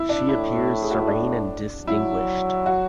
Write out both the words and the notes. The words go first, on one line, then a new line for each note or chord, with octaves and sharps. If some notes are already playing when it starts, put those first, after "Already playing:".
She appears serene and distinguished.
Already playing: E4
D4
A2 E4
G#4
F#4
E4
D4
F#3 E4
F#4